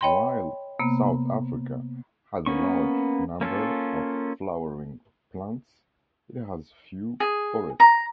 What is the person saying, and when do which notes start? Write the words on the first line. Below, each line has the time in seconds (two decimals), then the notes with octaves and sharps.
While South Africa has a large number of flowering plants, it has few forests.
0.01 C#5 D#5 G5 B5 C6
0.79 C3 A#3 B3
2.46 A#3 B3 C#4 C#6
3.41 A#3 C#4 F4 A4
7.20 G#4
7.80 A#5